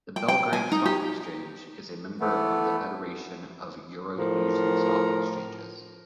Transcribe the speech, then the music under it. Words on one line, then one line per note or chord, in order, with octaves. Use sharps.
The Belgrade Stock Exchange is a member of the Federation of Euro-Asian Stock Exchanges.
G5
G5
G#5
D#4
G4
E3 A3 B3
A2 F3 A#4